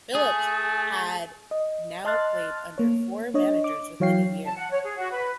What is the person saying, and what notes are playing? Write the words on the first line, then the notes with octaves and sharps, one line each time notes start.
Phillips had now played under four managers within a year.
A3 G#4
D#5
D#5 A5 C6 F6 F#6 A6
A#3 C#5
D4 C#5 D#5
D6
E3 F#3 C#5 F5 G5 C7
A5
F#5
C#5
G#4
F#4
B4